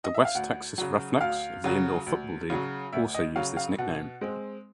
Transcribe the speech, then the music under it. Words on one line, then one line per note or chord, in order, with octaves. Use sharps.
The West Texas Roughnecks of the Indoor Football League also use this nickname.
D#5
E5
F5
D2 F#5
C#3 F#3
D2 F5
C#3 F#3
D2
C#3 F#3
D2 E5
D#5
C#3 F#3 F5
F5
B2 F#5
G#3 C4